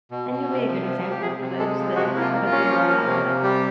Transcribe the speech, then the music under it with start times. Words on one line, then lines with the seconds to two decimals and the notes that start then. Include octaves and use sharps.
And you'll be a good example for those that haven't figured that out yet.
0.11 B2
0.30 B2
0.48 C3
0.67 F3
0.85 C3
1.04 C3
1.10 G4
1.22 C3 G#4
1.40 C3
1.59 G#3 A4
1.77 F3
1.95 C3 F#4
2.14 A#3 E4
2.21 F4
2.33 A#3
2.46 F4
2.52 C#4
2.70 F3
2.89 A#3
3.06 C3
3.25 C3
3.44 G3 G4